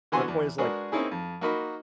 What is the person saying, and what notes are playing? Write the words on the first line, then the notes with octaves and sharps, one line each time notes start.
my point is like,
D3 E3 B3 F#4 G#5 C6
E2
G#3 D4 F#4 G#4 A#4 B4
A#3 C4 C#4 D#4 E4 G#4
F2
A#3 D#4 F#4 A#4 D#5 B5